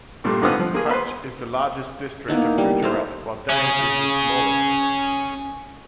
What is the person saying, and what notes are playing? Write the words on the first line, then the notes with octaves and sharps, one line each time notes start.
Kutch is the largest district of Gujarat while Dang is the smallest.
G2 A#2 G3 A3
G#2 D3 B3 C4 F4 D#6
F3
A#3 G#4
B3 B4 C5
A#3 B3 D#4 E4
G3
A3 A#4 C5
C#4 G#4